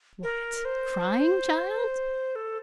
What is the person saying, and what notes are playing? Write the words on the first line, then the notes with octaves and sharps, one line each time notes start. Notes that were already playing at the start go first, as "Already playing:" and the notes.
What! crying, child?
A#4
C5
A4